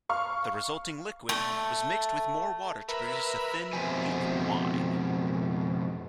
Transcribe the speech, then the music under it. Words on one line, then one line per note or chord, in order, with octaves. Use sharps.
The resulting liquid was mixed with more water to produce a thin, weak wine.
F5 C#6 F6
A3
A#4 B4 E5 B5
F2 B2 C5 E5 G#5